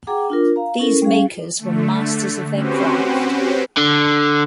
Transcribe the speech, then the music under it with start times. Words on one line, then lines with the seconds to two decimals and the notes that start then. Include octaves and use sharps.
These makers were masters of their craft.
0.07 G#4 F#5 G5 A#5 D6
0.30 D4 F4 A#4
0.56 F5 A#5
0.79 C#4 E4 A4 A#4
1.02 G3 C#4 G#4 F5
1.58 D3 A3
2.53 C4 C#4 F#4 G4 B4 C5
3.77 D3